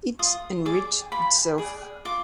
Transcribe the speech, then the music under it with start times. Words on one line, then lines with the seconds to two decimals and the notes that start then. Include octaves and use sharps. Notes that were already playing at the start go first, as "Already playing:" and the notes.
It enriched itself.
0.19 F4 D#6
0.65 G#4 D5 D6
1.12 F4 B5
1.58 G#4 D5
2.05 F4 D6